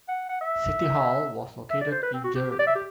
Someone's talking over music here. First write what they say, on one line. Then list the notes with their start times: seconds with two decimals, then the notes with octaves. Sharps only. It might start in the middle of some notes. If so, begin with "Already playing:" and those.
City hall was located in Joure.
0.08 F#5
0.29 F#5
0.41 E5
1.70 E5
1.81 D5
1.92 C5
2.02 B4
2.13 C4
2.24 F#4
2.35 G4
2.51 G4
2.59 D5
2.67 E5
2.75 G4